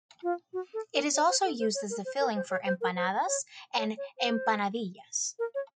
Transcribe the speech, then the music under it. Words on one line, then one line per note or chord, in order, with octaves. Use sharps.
It is also used as the filling for empanadas and "empanadillas".
F4
F#4
A4
A#4
C#5
C5
A4
C5
C#5
A#4
C5
A#4
C5
C#5
C5
A#4
C5
C#5
C#5
C#5
C5
A#4
C#5